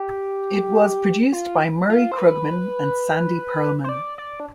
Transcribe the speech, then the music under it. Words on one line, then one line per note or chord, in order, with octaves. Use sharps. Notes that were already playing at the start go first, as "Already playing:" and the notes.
It was produced by Murray Krugman and Sandy Pearlman.
Already playing: G4
F4
F4
C5
B4
C5
D5
D5
D4